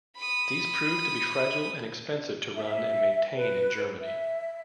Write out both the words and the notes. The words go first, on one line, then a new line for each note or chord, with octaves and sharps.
These proved to be fragile and expensive to run and maintain in Germany.
B5 D#6
E5
B4
E5